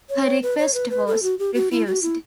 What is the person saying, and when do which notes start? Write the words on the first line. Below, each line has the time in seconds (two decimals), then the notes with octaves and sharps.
Her request was refused.
0.10 C#5
0.43 B4
0.58 C#5
0.74 B4
0.90 B4
1.07 A4
1.23 F#4
1.39 G4
1.54 F#4
1.71 E4
1.87 F#4
2.03 E4